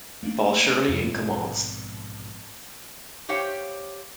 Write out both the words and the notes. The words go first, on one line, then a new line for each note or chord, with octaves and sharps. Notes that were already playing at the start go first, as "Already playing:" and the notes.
Paul Shirley in command.
A3 A#3 C#4 D4
F2 A2 C3 F3
A#1 G#2 B2 C4
G4 C5 C#5 F5 G5